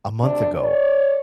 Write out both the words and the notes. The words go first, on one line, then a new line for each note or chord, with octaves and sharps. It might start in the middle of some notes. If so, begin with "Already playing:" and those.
a month ago,
D2 C3 D4 D5
C#5 D5